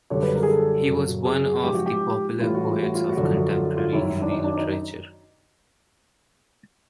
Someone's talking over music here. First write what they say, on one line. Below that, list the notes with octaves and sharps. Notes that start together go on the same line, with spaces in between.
He was one of the popular poets of contemporary Hindi literature.
F#2 D3 G3 C#5
B4
A#4
G#4
A4
F#2 C#3 F#3
G#4
G#2 F3 G4
F#4
G4
A2 E3 G3 F4
F#4
F4
F#4
F4
F#4
F#2 D3 F3
F4
F#4
F4
F#4
F4
F#2 D#3 F#3 E4
D4
D#4
D4
D#4